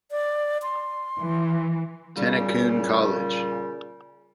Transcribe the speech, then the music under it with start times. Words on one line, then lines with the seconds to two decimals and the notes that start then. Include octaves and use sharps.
Tennakoon College.
0.11 D5
0.63 C6
1.20 E3
2.16 A#2 C#3 G3